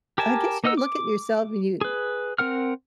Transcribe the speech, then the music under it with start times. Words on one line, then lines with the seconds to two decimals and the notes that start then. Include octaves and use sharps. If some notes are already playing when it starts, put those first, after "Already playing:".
I guess you look at yourself and you
0.18 G4 A#4 G#5 A5
0.64 A#3 D#4 D#5 F#5 E6
0.77 D6
1.81 G#4 B4
2.38 C4 A#4 F#5 F6